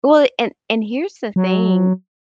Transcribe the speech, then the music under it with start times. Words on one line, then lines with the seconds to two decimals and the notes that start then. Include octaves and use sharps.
well, and and here's the thing,
1.36 F#3